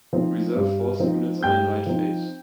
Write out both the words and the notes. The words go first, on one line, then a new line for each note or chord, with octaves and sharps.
Reserve Force units are in light face.
F3 C4 D#4
G2
F3 C4 D#4
G2 G5 G6
F3 C4 D#4